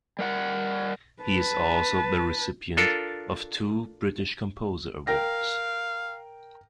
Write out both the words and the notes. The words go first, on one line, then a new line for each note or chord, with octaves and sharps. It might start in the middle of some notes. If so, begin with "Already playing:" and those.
He is also the recipient of two British Composer Awards.
G3 A#4 F#5
B4 A5
D4 F4 A4 A#4
A#4 F5 G5 A#6